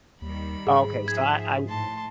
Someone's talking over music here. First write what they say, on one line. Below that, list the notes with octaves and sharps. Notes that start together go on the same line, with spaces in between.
Okay. So I I
D#2 D#3 G3 B5
G#2 G#4
F3 G#4 E5 G#6
A2 A5 C6